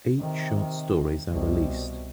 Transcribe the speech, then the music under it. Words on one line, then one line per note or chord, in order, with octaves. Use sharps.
Eight short stories are released.
C3 D#3
C2 B2